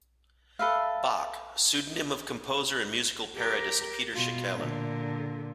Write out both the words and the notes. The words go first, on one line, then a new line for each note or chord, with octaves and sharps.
Bach, pseudonym of composer and musical parodist Peter Schickele.
A4 B4 E5 F5
G4 A#4
B2 F4
A#2 D3